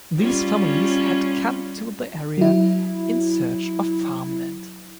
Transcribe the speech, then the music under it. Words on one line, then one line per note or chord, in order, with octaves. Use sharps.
These families had come to the area in search of farmland.
G3 C#4 F4
F#3 E4